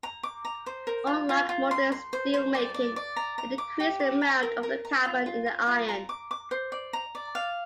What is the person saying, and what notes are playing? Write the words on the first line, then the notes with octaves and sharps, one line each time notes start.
Unlike modern steelmaking, it increased the amount of carbon in the iron.
A#5
D6
A#5
C5
A#4
F4
F4
F4
C6
C6
C5
C5
D5
D5
D5
A#5
A#5
D6
G4
D6
A#5
A#4
A#4
A#5
F4
F4
F4
F4
A#5
D6
D6
C5
D5
A#5
D5
F5